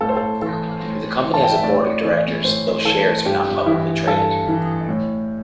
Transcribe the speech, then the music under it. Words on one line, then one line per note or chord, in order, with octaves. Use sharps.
The company has a Board of Directors though shares are not publicly traded.
A2 A4
C5
A4
E3 A4
A2
E3
A5
G5
E5
A2 D5
E3
A2 C5
E3 A4
G2 G4
E3 E4
G2 A4
E3
A2